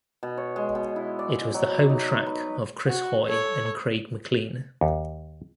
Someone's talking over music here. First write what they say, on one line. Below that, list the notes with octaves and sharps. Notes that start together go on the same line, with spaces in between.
It was the home track of Chris Hoy and Craig MacLean.
B2
C#5
G#3
B2
E4
D5
F#3
D#4
B4
F#4
A4 C#5
D#2